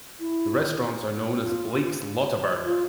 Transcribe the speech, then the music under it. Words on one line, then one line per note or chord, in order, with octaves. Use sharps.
The restaurants are known as Blake's Lotaburger.
E4
F4
F4